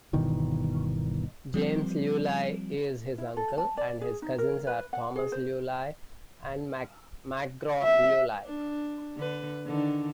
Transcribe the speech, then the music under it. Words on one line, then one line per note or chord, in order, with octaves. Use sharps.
James Leuluai is his uncle and his cousins are Thomas Leuluai and Macgraff Leuluai.
G1 B2 D#3 E3
F3 G3 C4
E4
A4
A5
D5
G#4
D#4
A#4
B4
F#5
G#4
C5
E5
D4
D3 B4
D3 D#3 D4